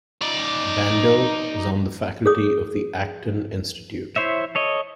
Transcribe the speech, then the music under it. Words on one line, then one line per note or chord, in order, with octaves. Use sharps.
Bandow is on the faculty of the Acton Institute.
D#4 D5
G#4 A4 C#5 D#6
E4 C5 C#5 E5
A4 C#5 D#5